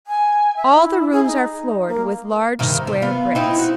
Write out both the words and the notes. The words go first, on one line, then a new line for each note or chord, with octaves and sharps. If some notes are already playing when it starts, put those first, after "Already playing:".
All the rooms are floored with large square bricks.
G#5
E5
E4
G#4
D#4
A#3
G2 C3 D#3
C3
B3 F4
C4 D#4 E4
F#4